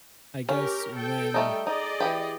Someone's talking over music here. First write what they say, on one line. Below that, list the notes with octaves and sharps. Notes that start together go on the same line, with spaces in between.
I guess when,
C#4 G4 A#4
A4 G5
G3 A3 D#4
D#4 G#4 D5 D#5
E3 F3 G4